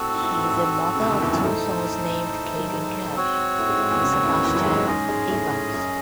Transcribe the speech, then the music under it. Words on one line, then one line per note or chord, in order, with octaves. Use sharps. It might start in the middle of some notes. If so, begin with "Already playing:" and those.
She is a mother of two sons named Kayden Cash and Sebastian Evans.
Already playing: A2 C4 F#4 A4
G#2
A2
G#2
A2
G#2
A2
G#2
C#3
C2 C3
D#2 D#3
E2 E3
F#2 F#3
A2 A3 D#4 A4 C5
E3
F#3
G#2 G#3
C4 F#4 C#5
A2 A3
G#2 G#3
G#2 G#3
E2 E3
C#2 C#3
D#2 D#3
A2 C#3
D#2 D#3
E2 E3
F#2 F#3
G#2 G#3
G#2 G#3
G#2 G#3 C#4 G#4 D#5
G#2 G#3
A2 A3
F#2 F#3